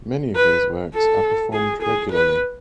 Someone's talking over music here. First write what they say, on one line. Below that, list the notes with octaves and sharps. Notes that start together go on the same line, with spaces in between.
Many of these works are performed regularly.
B4
A4
G#4
G#4
B4